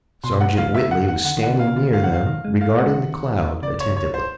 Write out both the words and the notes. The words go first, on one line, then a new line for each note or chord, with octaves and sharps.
Sergeant Whitley was standing near them regarding the cloud attentively.
B2 C6
F#5
C#3 F5
E5
F#5
F#5
D3 F#5
D#3
F#5
D3
F5
C#3
D3
F5
F#5
F5
D#3
G#3
A3 F5
G#3 F#5
D#3
C#3 D5
C#5
C#5
C5